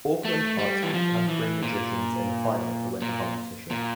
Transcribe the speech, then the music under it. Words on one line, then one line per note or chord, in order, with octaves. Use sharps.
Auckland Hearts beat Canterbury Magicians in the final to win the competition.
A3
G3
E3
F3
E3
A#2
A#2
A#2